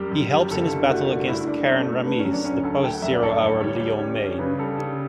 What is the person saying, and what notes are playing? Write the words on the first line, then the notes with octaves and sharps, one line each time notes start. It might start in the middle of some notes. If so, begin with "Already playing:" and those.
He helps in his battle against Karen Ramis, the Post-Zero Hour Lion-Mane.
Already playing: F#2 G3 G4
F#2
G3
F#1 A4
D3
A3 F#4
A3
G2 E4
G2 D4
G2 C#4
A3
G2
A3
D3 B3
C#4
F#3
D4
D2 C#4
D2 A4
A3 G5
F#5
F#2 E5
D5
G1 A4
G1
G3 C#5
G3
C#4
C#4
C#3 B4
G3 A4
C#3